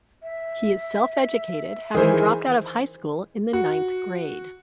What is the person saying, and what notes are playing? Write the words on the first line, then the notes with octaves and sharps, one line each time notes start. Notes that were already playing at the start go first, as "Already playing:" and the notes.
He is self-educated, having dropped out of high school in the ninth grade.
E5
D#3 E3 G#4 C5
F#4